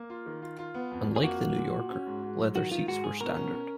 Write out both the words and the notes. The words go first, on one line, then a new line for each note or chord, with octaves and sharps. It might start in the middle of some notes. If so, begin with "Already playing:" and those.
Unlike the New Yorker, leather seats were standard.
Already playing: A#3
F4
D#3
F4
F4
B3
F2
F2
G#4
A#3 F#4
A#3
A#2
A#2
C#4
G#2
G#2
F#3
D#3 F#4
D#3 F4
G#2 F#4
G#2 G#4
B2 A#4
C#4
C#4